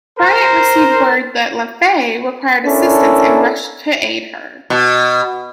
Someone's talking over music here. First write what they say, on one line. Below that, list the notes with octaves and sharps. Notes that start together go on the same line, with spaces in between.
"Bryant" received word that "Laffey" required assistance and rushed to aid her.
A#4 C5
C#4 D4 E4 A4 A#4
B2